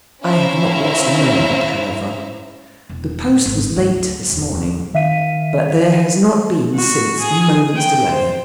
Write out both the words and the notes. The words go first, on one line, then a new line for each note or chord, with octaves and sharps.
I have not lost a moment, however. The post was late this morning, but there has not been since a moment's delay.
C#4 E4 C5 E5 F5 A#5
E1
A#2
G#1
D2
D1 E2
D#3 E5 F5 B6 D#7
F#4
G#4
G5
C5